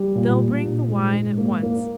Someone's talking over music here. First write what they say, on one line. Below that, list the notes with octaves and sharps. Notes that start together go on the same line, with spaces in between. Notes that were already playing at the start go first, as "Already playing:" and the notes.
They'll bring the wine at once....
Already playing: G3
A#2
A#2
A#2
G#2
G#2
A#3
A#3